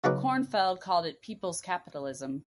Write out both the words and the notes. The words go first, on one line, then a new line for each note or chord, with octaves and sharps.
Cornfeld called it people's capitalism.
C#3 F#3 C#4 D#4 B4 D6